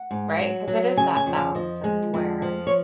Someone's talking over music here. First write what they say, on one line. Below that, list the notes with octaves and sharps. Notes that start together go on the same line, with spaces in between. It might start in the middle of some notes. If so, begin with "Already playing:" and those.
Right, 'cause it is that balance of where
Already playing: F#5
G#2
F#3
F#3
C#3 G#5
G#5
F2
F5
F3 D#5
G#3
F2
F3
C#5